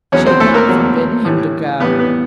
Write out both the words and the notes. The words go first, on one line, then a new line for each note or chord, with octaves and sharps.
She had not forbidden him to go.
E2 B2 F#3 C#4 C#5
C4 C5
A3 A4
A#3 A#4
E2 B2 F#3
A2 E3 G3
A2 E3 G3 B3 B4
B3 B4